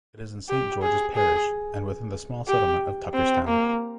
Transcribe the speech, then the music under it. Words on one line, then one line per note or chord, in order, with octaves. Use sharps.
It is in Saint George's Parish, and within the small settlement of Tucker's Town.
G4
G#4
G#4
G4
C4
A#3